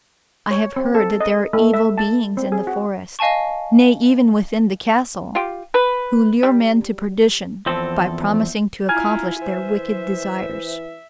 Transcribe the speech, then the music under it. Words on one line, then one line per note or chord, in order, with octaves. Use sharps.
I have heard that there are evil beings in the forest--nay, even within the castle--who lure men to perdition by promising to accomplish their wicked desires.
C#5
C4
A4
D#5
A3
E5
A5
C4
G#4
F#4
D#5 F5 G#5 A5 C#6
F4 G4
B4
G3
E2 F3 C4 A4
E4 F4 G#5 A#5 F6 G#6
E3 C5 E5